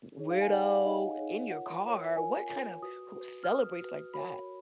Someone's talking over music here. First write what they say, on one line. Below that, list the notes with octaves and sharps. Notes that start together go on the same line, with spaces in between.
“Weirdo, in your car? What kind of who celebrates like that?”
D#4 G#4 C#5
F5
G#5
D#4 G#4 C#5 F#5
F5
F5
D#4 G#4 C#5 D#5
D#4 G#4 C#5
F4 A#4 C#5 F#5
F4 A#4 C#5
F4 A#4 C#5 G#5
F4 A#4 C#5
F#4 B4 D#6
F#4 B4
F6
F#4 B4 D#6
F#4 B4
F#4 A#4 C#5 B5